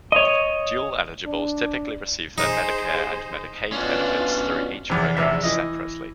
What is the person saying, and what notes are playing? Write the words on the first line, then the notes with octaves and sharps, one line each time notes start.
Dual-eligibles typically receive their Medicare and Medicaid benefits through each program separately.
C#5 D#5
D4
D#4 G#4 C5
B2 C#4 D4 F4 D5
E2 C3
A#1 E2 C3 E5
E3 D#5